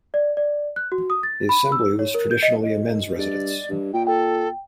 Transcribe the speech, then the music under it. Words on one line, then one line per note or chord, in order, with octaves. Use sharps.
The Assembly was traditionally a men's residence.
D5
D5
F#6
F#4
D#6
A6
B5
E6
C#5
A#4
G6
D#5
D#5
G2 D5
G2
A#2 G5
A4 G5